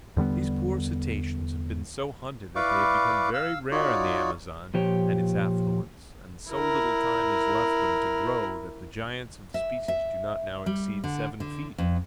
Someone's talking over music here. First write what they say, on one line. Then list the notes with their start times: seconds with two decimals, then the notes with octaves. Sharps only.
These poor cetaceans have been so hunted that they have become very rare in the Amazon and its affluents, and so little time is left them to grow that the giants of the species do not now exceed seven feet.
0.17 E2 D3 G3 B3
2.56 E4 B4 D5 F5 C#6 D6
3.34 F5 E6
3.71 D#4 F4 F#4 C#5 D5
4.74 A#2 F3 G4 C#5
6.51 E4 A#4
9.54 E5
9.88 E5
10.66 G3
11.04 D3
11.40 D3
11.78 F2